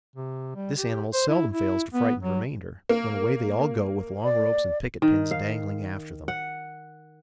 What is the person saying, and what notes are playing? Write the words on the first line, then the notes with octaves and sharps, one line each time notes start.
This animal seldom fails to frighten the remainder, when away they all go with long ropes and picket pins dangling after them.
C3
G3
G4
C5
E4
E4
B3
F#3
A#3
D5
D#3
F5
F#5